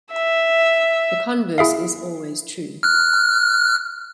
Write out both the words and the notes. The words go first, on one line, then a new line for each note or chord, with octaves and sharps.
The converse is always true.
E5
E4 G#4 E5 F5
F6 F#6